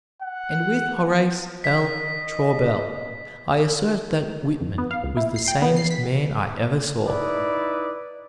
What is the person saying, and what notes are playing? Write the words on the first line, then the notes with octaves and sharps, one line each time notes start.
And with Horace L. Traubel I assert that Whitman was the sanest man I ever saw.
F#5
D#5 B6
F2
B3
F5
C#2
E4
C7
G5
B3
C7
B6
D#4 E4 B4 D5